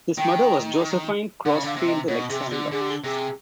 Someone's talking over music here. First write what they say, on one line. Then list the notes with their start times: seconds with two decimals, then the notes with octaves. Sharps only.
His mother was Josephine Crosfield Alexander.
0.18 D#3 G5
1.45 D3 F#5
1.54 C#3
1.64 D3 F5
1.77 C3
1.87 D#5
2.08 B2 C#5
2.30 C3 G#4
2.51 D3 G#4
2.71 D3 G#4
2.81 G4
2.91 G#4
3.04 C3 G#4